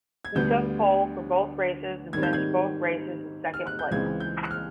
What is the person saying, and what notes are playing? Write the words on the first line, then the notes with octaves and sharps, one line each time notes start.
He took pole for both races and finished both races in second place.
G#6
D2 D3 G3 B3 G6
G#2 D#3 G3 C4 G#6
G6
G#6
F6
F#6
G6
C#2 C#3 E3 G#3 C4 G#6
G6
F#6
F6